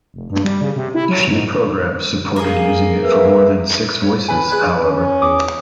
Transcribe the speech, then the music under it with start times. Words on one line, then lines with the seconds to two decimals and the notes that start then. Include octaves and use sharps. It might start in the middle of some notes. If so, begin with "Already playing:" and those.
Few programs supported using it for more than six voices, however.
0.14 F1
0.30 G2
0.44 G3
0.61 C#3
0.76 C3
0.95 E4
1.09 F#3
1.32 G#2
2.36 A#3 G#4
3.03 A#4 B4 E5
4.01 C#4 C#5
4.28 A4 B4 C#5 G#5
4.51 G#4 B4 D5 F#6
4.88 C#4
5.22 E2 D6 D#6